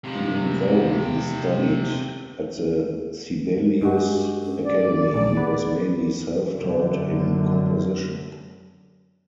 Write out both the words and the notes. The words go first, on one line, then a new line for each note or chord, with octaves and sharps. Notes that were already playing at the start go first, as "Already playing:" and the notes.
Even though he studied at the Sibelius Academy, he was mainly self-taught in composition.
C3 F3
G2 G#3 F#4 G4
C#4
D5
A#1 G#4
B3 B4
F#2 D3